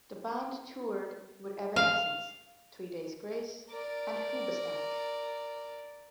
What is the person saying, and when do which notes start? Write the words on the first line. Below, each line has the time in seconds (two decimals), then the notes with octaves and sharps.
The band toured with Evanescence, Three Days Grace, and Hoobastank.
1.76 F5
3.69 A#4 D5